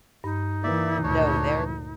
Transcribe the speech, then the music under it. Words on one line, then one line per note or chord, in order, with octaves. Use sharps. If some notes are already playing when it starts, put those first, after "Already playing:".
No, they're
G2 D#4
E3 A#3 D5 E5
D2 A#2 D4 C#5